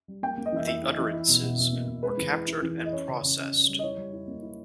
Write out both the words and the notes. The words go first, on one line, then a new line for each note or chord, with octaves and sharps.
The utterances were captured and processed.
G3
A#3 G5
A#3
D#5
E3 E5
E4 E5
E4
E3
E4
B2
B2
B2
A#3
B2
G#3 B4
E3
E4
E4
E3
E4
D#5
C#4 C#5
C#3
C#3
C#4
C#4
G3
D#5
E4 C#5
G3
E4
A#3
E4